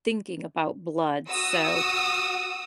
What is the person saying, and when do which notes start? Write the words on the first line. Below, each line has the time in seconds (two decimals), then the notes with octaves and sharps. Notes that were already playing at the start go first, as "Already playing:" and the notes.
thinking about blood, so,
1.28 F#4 D#6 E6